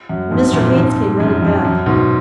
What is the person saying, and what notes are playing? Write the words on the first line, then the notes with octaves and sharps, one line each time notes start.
Mr. Haynes came running back.
F#2
F2 G#2
F#2 A#2
F2 G#2
F#2
F2
F#2
G#2 B2